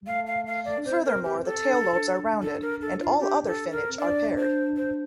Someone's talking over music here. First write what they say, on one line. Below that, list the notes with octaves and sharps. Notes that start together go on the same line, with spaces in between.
Furthermore, the tail lobes are rounded, and all other finnage are paired.
G3
A3 F5
F5
F5
D5
D4
C4 C5
A#4
G4
A4
D4
D4
A4
A#4
A4
F4
G4
A4
A#4
C4
D4 D5
C5
C5